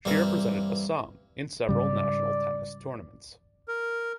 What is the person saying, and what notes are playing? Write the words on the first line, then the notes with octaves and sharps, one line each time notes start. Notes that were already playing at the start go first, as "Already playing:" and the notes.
She represented Assam in several National tennis tournaments.
G2 E3 A#3 C4 F5 A#5
G#2 C#3 G3 D5
A#4